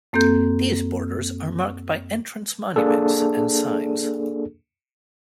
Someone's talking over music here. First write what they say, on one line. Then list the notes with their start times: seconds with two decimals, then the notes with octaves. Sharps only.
These borders are marked by entrance monuments and signs.
0.13 F#2 A#3 C4 A4 G6
2.76 A#3 D4 G#4 A4